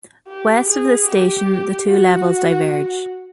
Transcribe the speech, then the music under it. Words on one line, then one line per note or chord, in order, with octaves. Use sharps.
West of this station, the two levels diverge.
G4
G#4
G4
F#4